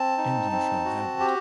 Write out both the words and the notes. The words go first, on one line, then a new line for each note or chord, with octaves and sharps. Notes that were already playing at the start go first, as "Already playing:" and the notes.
And you shall have it.
Already playing: C4 A5
D#4
C4
F#4
G4